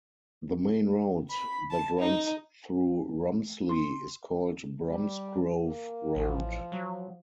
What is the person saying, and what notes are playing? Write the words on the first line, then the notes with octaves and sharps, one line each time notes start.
The main road that runs through Romsley is called Bromsgrove Road.
B5
A5
D#4
C6
G3
A#3
A1 F3
F#3